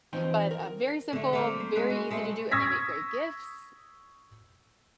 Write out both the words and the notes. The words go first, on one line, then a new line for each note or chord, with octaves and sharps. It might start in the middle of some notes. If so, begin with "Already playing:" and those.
but, uh, very simple, very easy to do, and they make great gifts,
E3 F3 C4 D#4 G5
A#4
D3 A3
A3 A#3 C4
C5
G#3 C#4 B4
F#4
G#3 A3 C4
C#6 D#6 E6 G#6 A#6 B6